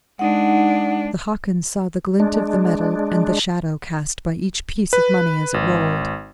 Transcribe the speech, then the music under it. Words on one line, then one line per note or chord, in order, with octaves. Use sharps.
The Hockins saw the glint of the metal, and the shadow cast by each piece of money as it rolled.
G#3 D4 D#4 F#5
G#3 D4
B4
G#1